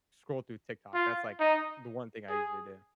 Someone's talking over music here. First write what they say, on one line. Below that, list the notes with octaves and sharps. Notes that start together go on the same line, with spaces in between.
scroll through TikTok. That's, like, the one thing I usually do.
F4
D#4
G#4